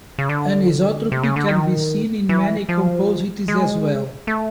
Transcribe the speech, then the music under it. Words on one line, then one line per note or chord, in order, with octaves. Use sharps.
Anisotropy can be seen in many composites as well.
C#3
D3
C3
C#3
D3
D#3
E3
F3
G#3
A3